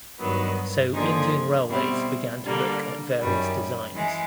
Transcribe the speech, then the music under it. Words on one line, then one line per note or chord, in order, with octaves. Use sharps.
So Indian Railways began to look at various designs.
G2 D#3 F#3 B3
D3 F3 A#3 D#4 G#4
B2 G3 C4 E4
D3 G3 A#3 D4
F#2 D#3 G3
E3 G#3